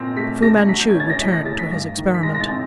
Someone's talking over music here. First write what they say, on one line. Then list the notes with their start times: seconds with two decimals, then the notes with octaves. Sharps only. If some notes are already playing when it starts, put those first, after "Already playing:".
Fu-Manchu returned to his experiment.
Already playing: A#2 C4 A#6
0.16 A3 B6
0.42 A3 A#6
0.68 F#3 B6
0.80 G6
0.90 C#4 G#6
1.00 A6
1.10 A#6
1.19 A2 B6
1.33 A#6
1.45 A3 A6
1.58 B6
1.71 G2 A#6
1.97 D#3
2.14 B6
2.23 G#3 A#6
2.35 A#6
2.40 A6
2.49 C4